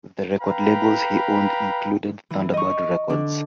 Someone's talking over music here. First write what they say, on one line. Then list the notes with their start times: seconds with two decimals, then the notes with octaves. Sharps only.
The record labels he owned included Thunderbird Records.
0.41 B4 F5 G5 A#5 B5
2.30 E3
2.53 D#5 C#6
3.10 D3 D4